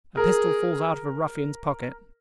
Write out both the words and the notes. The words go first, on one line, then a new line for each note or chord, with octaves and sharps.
A pistol falls out of a ruffian's pocket.
G#4 A#4